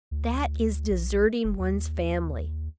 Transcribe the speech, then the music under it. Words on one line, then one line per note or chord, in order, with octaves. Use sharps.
That is deserting one's family.
D2
B1
F#1
D#2